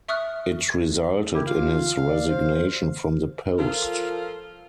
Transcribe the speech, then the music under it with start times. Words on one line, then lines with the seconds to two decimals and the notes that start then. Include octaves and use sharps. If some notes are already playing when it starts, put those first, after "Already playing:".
It resulted in his resignation from the post.
0.08 E5 C#6 D#6 F6 F#6
1.34 E4 G4 A#4
1.47 F4 F5
2.06 D5
2.28 C5
3.59 F3 F4 A4 A#4